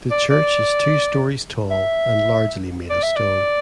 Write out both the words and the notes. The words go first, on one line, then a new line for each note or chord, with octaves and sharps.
The church is two stories tall and largely made of stone.
D5
D5
E5
D5
E5
D5